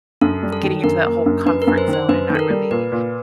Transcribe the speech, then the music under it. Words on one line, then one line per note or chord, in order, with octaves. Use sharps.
getting into that whole comfort zone, and not really
F#2 A4
G3
A4
D#3
F#2 A#4
A#3
F#2
F#2 B4
A#4
F#2
C5
D#3
C5
F#2 B4
D#3
A4
A#4
G3
A#2 B4
A#2